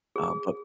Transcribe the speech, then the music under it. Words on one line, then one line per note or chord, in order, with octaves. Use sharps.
Uh, but
G#4